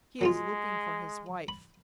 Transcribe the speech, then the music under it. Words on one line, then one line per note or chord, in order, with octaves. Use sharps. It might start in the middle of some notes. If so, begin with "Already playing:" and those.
He is looking for his wife.
F#3 G#3 B3 F4
B5